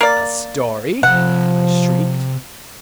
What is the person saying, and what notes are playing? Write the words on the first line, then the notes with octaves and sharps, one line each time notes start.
"A story!" I shrieked.
A#3 D5
C3 F3 F5 F#5